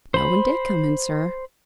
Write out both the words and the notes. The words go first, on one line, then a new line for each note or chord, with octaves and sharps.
"No one did come in, sir."
C5 B5